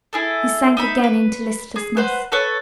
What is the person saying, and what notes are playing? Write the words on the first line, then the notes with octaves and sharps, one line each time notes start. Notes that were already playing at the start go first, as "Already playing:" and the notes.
He sank again into listlessness.
E4 G#4 A4
D#4 E5 B5
B4
G#4
B4 C5 F#5
A4 B4 C#5